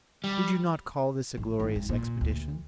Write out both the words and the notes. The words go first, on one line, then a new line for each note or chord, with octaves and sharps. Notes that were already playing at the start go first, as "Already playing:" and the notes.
Did you not call this a glorious expedition?
G3
A1
G#1
G#2
A#2
D2